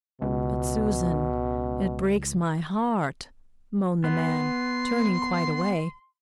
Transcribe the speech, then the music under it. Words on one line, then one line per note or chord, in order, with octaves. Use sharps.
"But, Susan, it breaks my heart," moaned the man, turning quite away.
C#2 B2
B3 C6